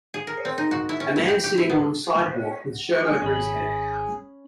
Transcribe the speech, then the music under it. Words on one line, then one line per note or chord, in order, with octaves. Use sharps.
A man sitting on sidewalk with shirt over his head.
G#4
A#4
C4
D#4
F#4
E4
C#4
E4
G4
G4
E4
B3
G#4
G#1 C#4 B5